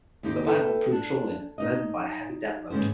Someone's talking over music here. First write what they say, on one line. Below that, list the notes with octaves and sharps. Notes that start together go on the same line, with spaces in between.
The buyout would prove troubling, burdened by a heavy debt load.
D#2 D#4 G4 C5
A4 B4 E5 G5
D4
D#4 D#5
D#2 G#2 C#3 B3 C5